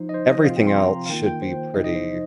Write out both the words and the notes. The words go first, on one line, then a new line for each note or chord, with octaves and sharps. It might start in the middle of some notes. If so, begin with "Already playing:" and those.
everything else should be pretty
Already playing: F3 D#4 C5
D#5
C5
D#5
C3 F3 C4 F4 F5
G5
C6
A#5
F5
D#3 A#3 F4 G5
G5
C5
C3 F3 D#4 D#5
D#5
C5